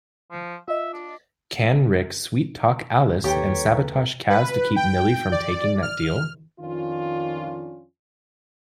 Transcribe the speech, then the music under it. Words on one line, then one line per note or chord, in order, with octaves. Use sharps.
Can Rick sweet-talk Alice and sabotage Kaz to keep Millie from taking that deal?
F3
F4 D#5 E5
D4
D#2 G4 A4 B4 C#5 G5 A#5
B4
G5
D5
F6
F2 D#3 C#4 D4 F4